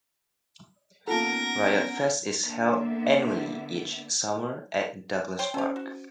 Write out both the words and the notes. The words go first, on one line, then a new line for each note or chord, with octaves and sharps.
Riot Fest is held annually each summer at Douglass Park.
A#3 B3 C#4 D#4 F4 A4 A#4 A#6
D3 A#3 B3 D4 E5
C5 C#5 G5
C#4 G4 A4 C5
F#4